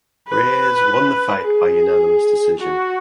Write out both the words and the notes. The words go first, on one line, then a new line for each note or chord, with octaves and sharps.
Reyes won the fight by unanimous decision.
B4
G#4
F#4